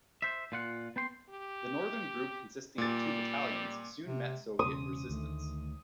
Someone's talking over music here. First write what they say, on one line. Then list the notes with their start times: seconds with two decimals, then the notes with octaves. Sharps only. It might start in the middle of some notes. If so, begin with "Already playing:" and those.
The northern group consisting of two battalions soon met Soviet resistance.
0.22 C5 E5
0.52 A#2 F4 F#5
0.96 B3 G5 C6
1.29 G4
2.78 A#2 G3 A6
4.07 C3
4.59 E1 C#3 D#6
5.10 D2 D#3 A3